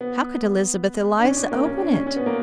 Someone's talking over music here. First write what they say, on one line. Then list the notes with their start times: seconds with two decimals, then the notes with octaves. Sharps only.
How could Elizabeth Eliza open it?
0.01 B3
1.19 D4
1.25 C#4
1.37 D4
1.52 A#3
1.65 C#4
1.79 D4
1.93 C#4
2.07 C#4
2.17 B3
2.26 A#3